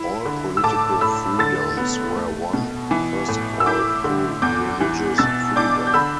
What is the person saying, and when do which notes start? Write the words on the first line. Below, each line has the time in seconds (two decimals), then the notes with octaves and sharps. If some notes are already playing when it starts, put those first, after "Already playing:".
All political freedoms were won, first of all, through religious freedom.
Already playing: E4 B5
0.26 D3
0.57 E6
0.64 A2 A5 D6
1.01 A2 B5 E6
1.39 D3 E6 A6
1.77 B3
2.15 A3
2.53 B2
2.91 E3
3.29 A2
3.60 E6
3.66 E4 D6 G6
4.04 D3
4.42 E2 D6 G6
4.81 E3
5.18 B2 E6 A6
5.56 D4 D6 G6
5.87 G6
5.94 D3 B5 E6